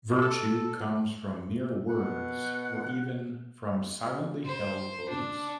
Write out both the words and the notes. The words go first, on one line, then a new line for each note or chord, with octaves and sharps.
Virtue comes from mere words or even from silently held beliefs.
A4
B2 F#5
C5
D4